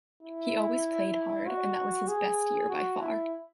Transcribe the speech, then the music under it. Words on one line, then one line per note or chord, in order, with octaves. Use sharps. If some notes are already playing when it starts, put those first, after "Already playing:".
He always played hard, and that was his best year by far.
E4
F#4
G#4
F#4
E4